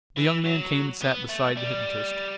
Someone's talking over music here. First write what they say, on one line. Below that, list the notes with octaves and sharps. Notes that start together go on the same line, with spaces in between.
The young man came and sat beside the hypnotist.
E3
F#3
B3
A3
G3